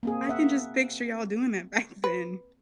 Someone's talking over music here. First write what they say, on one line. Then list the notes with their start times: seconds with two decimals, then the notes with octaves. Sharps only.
I can just picture y'all doing that back then
0.03 A#3 C4 G#4
0.29 E5 F#5
2.04 B4